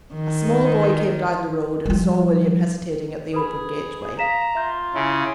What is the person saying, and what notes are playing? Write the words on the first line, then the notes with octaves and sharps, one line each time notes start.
A small boy came down the road and saw William hesitating at the open gateway.
D#3
F3 G3
G#4 B4 B5
F5 A#5 B6 E7
F4 E5 G6
C#3 E4